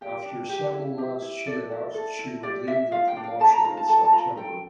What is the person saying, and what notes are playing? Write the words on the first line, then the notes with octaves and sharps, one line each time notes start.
After seven months she announced she would leave the promotion in September.
G4 G5
D4
G4
E4
G4 E5
E4
A4 D5
E4
A4
E4
G4 D5
E4 E5
F4 F5
G5
D4
F5
A4 A5
A#5
F4 A#5
A5
A4 A5
A5
F4 A#5
A4 G5